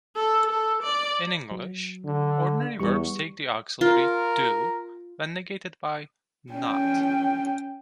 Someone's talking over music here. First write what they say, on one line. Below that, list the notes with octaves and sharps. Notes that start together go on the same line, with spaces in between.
In English, ordinary verbs take the auxiliary "do" when negated by "not".
A4
A4
D5
F#3
D3
E2 G3 C#6
F4 A#4
C#4 G5